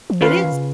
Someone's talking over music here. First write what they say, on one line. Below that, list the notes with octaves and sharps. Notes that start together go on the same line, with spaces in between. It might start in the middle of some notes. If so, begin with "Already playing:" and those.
it is.
F3
D#3 C#4 F4 B4 F5
F3
D#3
C#3